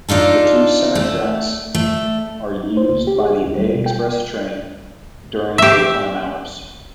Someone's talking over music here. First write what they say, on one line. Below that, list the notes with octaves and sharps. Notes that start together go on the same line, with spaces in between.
The two center tracks are used by the A express train during daytime hours.
D4 D#4 F4 A4
A3
A3
D#4
C5
C#2
G4
G#4
G4
D2
G3
B2
G5
G4 E5